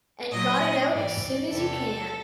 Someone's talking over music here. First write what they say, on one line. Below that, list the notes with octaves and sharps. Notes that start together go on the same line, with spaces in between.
And got it out as soon as you can.
A#2 F#3 D#5
G#2 E3 G3 D5
E2 C3 E3 G3 A4